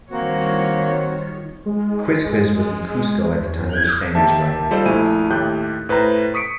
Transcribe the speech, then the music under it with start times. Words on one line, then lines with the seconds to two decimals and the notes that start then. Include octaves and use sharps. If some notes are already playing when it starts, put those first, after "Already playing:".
Quizquiz was in Cusco at the time of the Spaniards' arrival.
0.11 D#3 G3 A#3 C4 F#4 C#5
1.66 G#3
3.41 E2
4.15 D#3 A#3 G4 E5 A5
4.71 G3 F4 A4 C5 D5 D#5
4.86 A#1 A3 E4 G#5 D#7
5.30 D#2 A2 G4 F#6 G6
5.89 A2 B4 C5 A#5
6.34 C#6 D#6 B6 C#7 D7